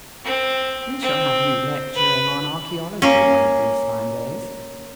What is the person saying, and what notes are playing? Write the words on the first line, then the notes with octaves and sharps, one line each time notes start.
We shall have you lecturing on archaeology one of these fine days.
C4
C4
B4
A#3 C#4